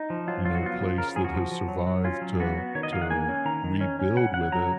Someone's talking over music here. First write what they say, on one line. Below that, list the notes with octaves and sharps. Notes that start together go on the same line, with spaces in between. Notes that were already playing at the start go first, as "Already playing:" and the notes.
you know, place that has survived to to rebuild with it.
Already playing: D#4
F3
F#3 F4
F#3 F4
F#4
B3 F4
F3
C#3 A#4
F3 G#4
F#4
F3
F3
F#3
F#3
C#4 F4
F#3
B3 F#4
B3
D#3 C#5
D#5
D#3 F5
F#5
A#3 G#5
C#4
D#3 A#5
D#3
C#4
C#4
C#3 F#5
C#3 F#5
F#3 A#5